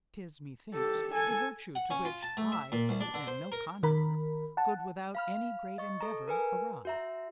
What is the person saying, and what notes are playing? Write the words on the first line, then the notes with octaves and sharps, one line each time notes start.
'Tis, methinks, a virtue to which I, who am no conjuror, could without any great endeavour arrive.
G4 A4
A4 G#5
F#5
C#4
F4
A5
A3
E5
A#2
C2
D4
D3
C5
A#4
D#3 A#4 B5
F#5 A5
F5 B5 F6
D#5 C#6
A4 A#5
A#4 B4 G#5
F#4 E5 A#5